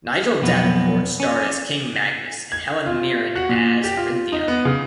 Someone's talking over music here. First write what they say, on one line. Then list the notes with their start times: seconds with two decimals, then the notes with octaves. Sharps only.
Nigel Davenport starred as King Magnus and Helen Mirren as Orinthia.
0.42 B1 F2 B3
1.20 C#4
2.52 G#6
2.86 F4
3.35 F#4
3.49 A#2
3.84 G4
3.97 F4
4.32 D#4
4.48 B3
4.65 C#3